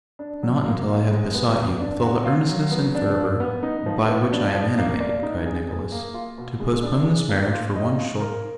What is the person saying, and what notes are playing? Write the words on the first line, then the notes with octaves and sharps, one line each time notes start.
'Not until I have besought you, with all the earnestness and fervour by which I am animated,' cried Nicholas, 'to postpone this marriage for one short week.
D4
F#3
A#3
F4
G#3
B3
B3
D4
F#4
F4
F#3
B3
D4
F3
B3
D#4
F3
B3
D4
F3
A#3
D5
D#4
G#4
G#4
A#3
F4
B2
G#3
D4
G#4
A#3
F4
D#5
F4
A#4